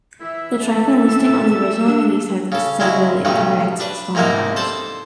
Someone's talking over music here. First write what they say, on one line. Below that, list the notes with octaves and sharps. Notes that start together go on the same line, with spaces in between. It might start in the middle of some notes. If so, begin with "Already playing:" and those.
The track listing on the original release has several incorrect song titles.
E3 E4 E5
A4
E6
D4
C#3 A4
C#3 F#3 G#3 E4
B1 G2 C#3 G3 A3
D4 B4
G#2 C3 A#3 D#4 E4
A4 C5 D5 A5